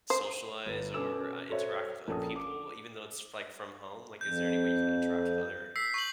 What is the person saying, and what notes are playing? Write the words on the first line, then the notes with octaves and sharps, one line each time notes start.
socialize or, uh, interact with other people even though it's, like, from home? Like, is there any way you can interact with other,
C5
G1 B4
B2 C#4 A4 D6 E6 E7
F#4 A4 C5 C#5 E5
A#1 C#4 A4 A#4 A5 D#6
D6
F2 G6
E6 B6 C7
C#6 G6 F#7